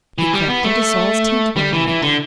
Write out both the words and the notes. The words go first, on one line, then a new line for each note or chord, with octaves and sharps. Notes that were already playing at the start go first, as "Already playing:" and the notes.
He crept into Saul's tent one night.
E3
G3
B3
A3
G3
E3
E3
D3